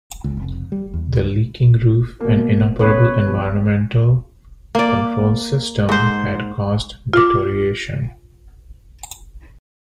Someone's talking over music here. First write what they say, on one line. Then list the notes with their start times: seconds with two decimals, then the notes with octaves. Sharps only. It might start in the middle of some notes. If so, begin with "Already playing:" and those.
The leaking roof and inoperable environmental control system had caused deterioration.
0.24 C#2
0.37 F1
0.72 G3
0.94 E2
1.13 C#2
2.20 B2 A#3
2.79 B3 C#4 B4 C#5
3.27 B2 F3 G4
4.75 A#3 D5
5.89 G#2 C5
7.14 F4 D6